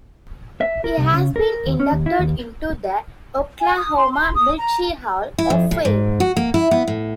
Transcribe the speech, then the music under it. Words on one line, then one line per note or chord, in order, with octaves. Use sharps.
He has been inducted into the Oklahoma Military Hall of Fame.
E5
A#4
C2
C#3
A#4
D#2
C#4
D#2
E4
D#2
G#5
D#6
C6
C6
D#6
A#5
E4
F2
A2
G#2
F#4
A#3
E4
B3
A2